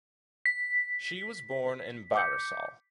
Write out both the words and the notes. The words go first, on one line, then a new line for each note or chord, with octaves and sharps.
She was born in Barisal.
B6
D6 G6 C#7